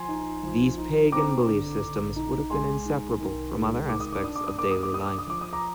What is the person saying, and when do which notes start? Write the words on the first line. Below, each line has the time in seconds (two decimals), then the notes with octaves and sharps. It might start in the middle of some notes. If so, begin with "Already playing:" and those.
These pagan belief systems would have been inseparable from other aspects of daily life.
Already playing: F3 G#5 C6
0.09 D#4
0.43 F3
0.77 D#4
1.12 C4 A#5 D6
1.47 D3
1.82 D3
2.16 D#4
2.50 G#3 G#5 C6
2.85 D#4
3.20 D#3
3.54 G#3
3.88 D#3 D6
4.00 D#6
4.13 D6
4.23 D4 D#6
4.36 D6
4.47 D#6
4.57 A#3 D6
4.71 D#6
4.83 D6
4.92 D4 D#6
5.06 D6
5.18 D#6
5.27 F3 D6
5.41 D#6
5.53 A#5 D6